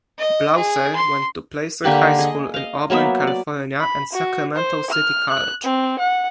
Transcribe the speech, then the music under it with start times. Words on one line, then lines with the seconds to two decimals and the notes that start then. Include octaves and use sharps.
Blauser went to Placer High School in Auburn, California and Sacramento City College.
0.19 D#5
0.56 G#4
0.95 C6
1.84 D3 A#3 G4 B4
2.19 G#4 D#5
2.54 D#5 F5
2.90 F#3 A#3 B3 E5
3.27 D5
3.80 B5
4.13 F#4
4.56 C5
4.90 F6
5.30 F#6
5.64 C4
5.99 F#5